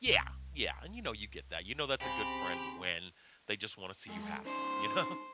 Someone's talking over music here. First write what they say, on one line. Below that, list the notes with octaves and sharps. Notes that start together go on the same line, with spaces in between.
Yeah, yeah, and, you know, you get that, you know that's a good friend when they just wanna see you happy, you know?
C2
C#3 C4 G4 B5
G#3 G#4 A4
C#4 D#4 C5